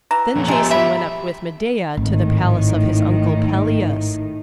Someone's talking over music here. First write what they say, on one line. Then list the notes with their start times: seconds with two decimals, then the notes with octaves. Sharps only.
Then Jason went up with Medeia to the palace of his uncle Pelias.
0.11 E3 A#5
0.36 F2 A#2 C#4
0.48 F3 G#3 A3 B3 G4
0.71 E5 B5
1.97 G#1 A2 D#3